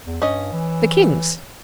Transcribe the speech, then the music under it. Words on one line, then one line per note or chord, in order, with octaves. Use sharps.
The king's.
E2
G2 C#4 D#5
E3